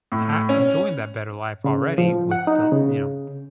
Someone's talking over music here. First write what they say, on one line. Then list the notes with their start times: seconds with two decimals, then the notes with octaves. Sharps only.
ha enjoying that better life already with the you know,
0.12 A2
0.49 C#4
1.64 C#3
1.98 F3
2.31 F#5
2.47 D#4
2.72 C#3